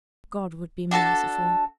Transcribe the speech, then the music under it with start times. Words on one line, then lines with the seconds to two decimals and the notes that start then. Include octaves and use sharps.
God would be merciful.
0.91 D4 F#4 A4 A5